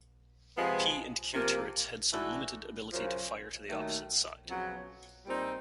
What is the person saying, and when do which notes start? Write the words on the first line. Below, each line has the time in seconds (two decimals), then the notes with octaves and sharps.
'P' and 'Q' turrets had some limited ability to fire to the opposite side.
0.56 C3 F3 G#3 B3
1.34 C3 F3 A#3
2.12 E3 A3 D4 F#4 A4
2.91 F#2 C#3 F3
3.69 D#2 D#3 F#3 A3
4.47 F2 C#3 F#3 B3
5.26 A#2 G3 C4 D#4